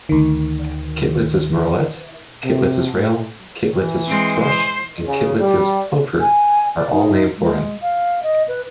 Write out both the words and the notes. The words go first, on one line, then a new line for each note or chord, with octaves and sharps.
Kittlitz's murrelet, Kittlitz's rail, Kittlitz's thrush and Kittlitz's plover are all named for him.
D2 D#3
C3
A2
E3
G#3 C4
C5
C#3
G3
G#5
D5
D#4
G#3
F5
D#5
B4